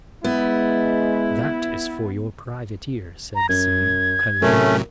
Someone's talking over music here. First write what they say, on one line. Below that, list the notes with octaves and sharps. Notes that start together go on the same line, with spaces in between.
"That is for your private ear," said Simeon, cunningly.
G#3 B3 E4
A#5
F#2 G#6
A2 C3 F#3 A3 C#4 A#4